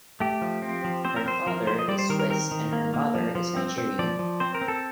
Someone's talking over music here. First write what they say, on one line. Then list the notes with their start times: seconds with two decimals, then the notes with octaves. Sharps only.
Her father is Swiss and her mother is Nigerian.
0.20 A3 G4
0.42 F3
0.62 C4
0.84 F3
1.05 C4 C5
1.16 A#4
1.26 C4 C5
1.46 F3 A#4
1.67 F3 C5
1.79 D#5
1.88 G3 D5
1.99 C5
2.09 D#3 A#4
2.20 A#4
2.30 C4 A#4
2.51 D#3
2.73 A#3
2.94 A#3
3.15 F3
3.35 F3
3.56 C4
3.78 C4
3.99 F3 D5
4.19 F3
4.40 C4 C5
4.55 A#4
4.61 C4
4.68 A4